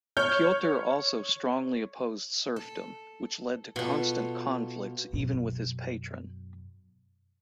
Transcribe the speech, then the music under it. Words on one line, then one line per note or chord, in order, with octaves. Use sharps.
Piotr also strongly opposed serfdom, which led to constant conflicts even with his patron.
C#5 F6 G6
A4
B2 F4 A4
F#2 B2